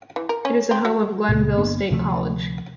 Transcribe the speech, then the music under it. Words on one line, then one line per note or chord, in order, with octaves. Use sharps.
It is the home of Glenville State College.
E3
A#4
C#4
C4
F#3
C#2 A#2
G1 A#3 B3 D4
D2 C3 F3 A3